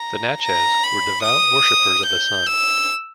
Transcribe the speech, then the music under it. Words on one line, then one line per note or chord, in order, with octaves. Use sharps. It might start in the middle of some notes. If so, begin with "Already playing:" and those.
The Natchez were devout worshippers of the sun.
Already playing: A#5
A#5
B5
D#6
G6
E6